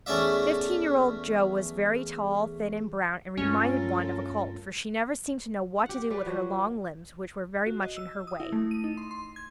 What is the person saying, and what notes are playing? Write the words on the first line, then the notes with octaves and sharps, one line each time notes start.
Fifteen-year-old Jo was very tall, thin, and brown, and reminded one of a colt, for she never seemed to know what to do with her long limbs, which were very much in her way.
E2 A3 C#4 D5 E5
G2 G#3 A3 C#4 F4 A4 A#4
G4 F#5
G3 G4 B4
F3 F#3 F#4
F#4
D#5
E6
D#6
E4
A3
D#7
D#4
C6
C6
G#6